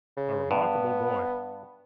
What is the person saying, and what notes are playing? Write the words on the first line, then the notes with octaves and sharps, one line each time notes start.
'A remarkable boy!
C#3
G2 B3